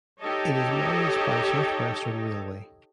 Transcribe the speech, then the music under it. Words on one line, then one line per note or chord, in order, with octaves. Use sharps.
It is managed by South Western Railway.
D#4 G4 A4 C#5 D#5